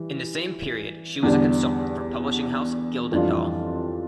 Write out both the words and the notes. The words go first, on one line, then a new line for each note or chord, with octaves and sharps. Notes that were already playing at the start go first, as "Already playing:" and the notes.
In the same period she was a consultant for publishing house Gyldendal.
Already playing: E3 G3
E2 D3 G3 D4
F2 E3 G3 D4 F4